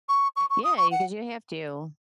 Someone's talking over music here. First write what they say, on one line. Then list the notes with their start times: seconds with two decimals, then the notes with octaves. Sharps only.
Yeah, 'cause you have to.
0.09 C#6
0.36 C#6
0.50 C#6
0.64 D#6
0.78 C#6
0.91 F#5